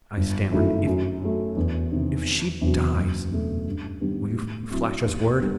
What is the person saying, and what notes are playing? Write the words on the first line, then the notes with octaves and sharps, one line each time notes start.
I stammered, "If ... if she dies ... will you flash us word?"
G1
F#2 D#3 A3 E4
F#2
F#3 A3
E2
C3 D#3
E1
E2 C3 F#3
F#1
E2 B2 A3
G2
D#3 G3 B3
A2
F#3 C4 E4
D#2
G3 B3